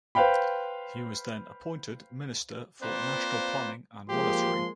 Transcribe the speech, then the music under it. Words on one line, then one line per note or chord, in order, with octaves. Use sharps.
He was then appointed Minister for National Planning and Monitoring.
B4 C5 F5 G5 B5
A#3 C4 F4 B4 C5 D5
F3 G#3 A#3 G4 C6